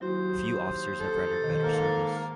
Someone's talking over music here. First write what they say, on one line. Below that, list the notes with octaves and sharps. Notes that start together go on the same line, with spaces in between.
Few officers have rendered better service.
D#2 F#3 E4 F#4 C5
A4
B2 D#3
G#2 A#3 A#4